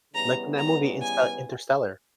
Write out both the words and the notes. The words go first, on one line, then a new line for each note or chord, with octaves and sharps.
Like in that movie, Insta Interstellar.
C#3 E3 G3 B3 A#5
A#5
G#5